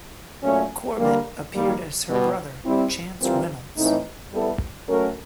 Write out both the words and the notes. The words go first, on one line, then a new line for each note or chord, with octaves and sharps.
Corbett appeared as her brother, Chance Reynolds.
A#2 F#3 A3 C#4
D3 G3 A#3
D#3 G3 A#3
B2 G3 B3
G3 C4 E4
E3 G3 C4 F4 A#4
A2 E3 A3 C4 D#4
G3 B3 E4 A4
F#3 A3 C#4 F#4 A#4